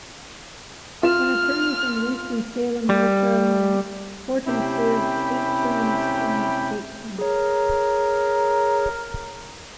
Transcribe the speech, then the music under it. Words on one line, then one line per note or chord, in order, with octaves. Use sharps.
An attorney from Winston-Salem, North Carolina, Horton served eight terms in the state Senate.
F4 F6 E7
G3
C3 C#4 E4 G4 G5 B5
G#4 A#4 C#5